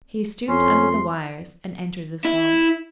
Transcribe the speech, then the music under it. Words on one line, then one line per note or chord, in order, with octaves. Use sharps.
He stooped under the wires and entered the swamp.
F2 C#4 C6
E4